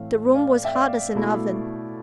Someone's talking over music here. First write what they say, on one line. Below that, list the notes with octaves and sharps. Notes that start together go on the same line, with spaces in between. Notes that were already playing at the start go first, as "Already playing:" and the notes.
The room was hot as an oven.
Already playing: A2 E3 A3 C4 F5
D5 F5
E5 G5
D5 F5
B2 A3 E4